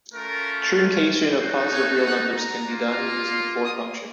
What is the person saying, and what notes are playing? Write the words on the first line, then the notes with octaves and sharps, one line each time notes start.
Truncation of positive real numbers can be done using the floor function.
A3 C#4 F4 A#4
A3 D#4 F#4 C5
C#5
F#5
A#5
A#3 F4
C6
D#6